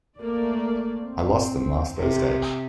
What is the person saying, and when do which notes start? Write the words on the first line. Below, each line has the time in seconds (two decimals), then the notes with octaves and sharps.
I lost them last Thursday.
0.19 A3 A#3 D5
1.03 C4
1.98 C3 G4